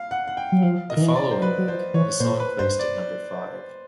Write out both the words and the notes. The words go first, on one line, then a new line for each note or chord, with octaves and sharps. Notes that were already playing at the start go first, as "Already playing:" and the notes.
The following week, the song placed at number five.
Already playing: F5
F#5
F#5
G5
F#3
F3 F5
D#5
D#3
E3
D5
C5
F#3 B4
F#3
F3 C5
E3 C#5
A#2 C5
B4
G2 C5
D5